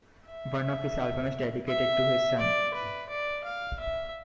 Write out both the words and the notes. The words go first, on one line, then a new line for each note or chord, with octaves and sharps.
One of his albums is dedicated to his son.
E5
E5
D5
B4
D5
F5
E5